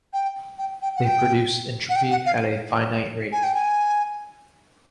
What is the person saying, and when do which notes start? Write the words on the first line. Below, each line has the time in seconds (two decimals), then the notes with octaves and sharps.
They produce entropy at a finite rate.
0.13 G5
0.58 G5
0.82 G5
0.96 F#5
1.05 G5
1.89 F#5
1.96 G5
2.11 F#5
2.26 F5
3.32 G#5
3.43 G5
3.55 G#5